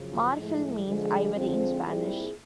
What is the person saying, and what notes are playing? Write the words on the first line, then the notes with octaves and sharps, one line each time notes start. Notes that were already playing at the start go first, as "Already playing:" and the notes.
Marfil means 'Ivory', in Spanish.
Already playing: F#2 C#3 F3
A2 F3 G#3
D3 F3 G#3
F2 D3 F3 G#3 C4
A#2 G3 C4 E4 G#4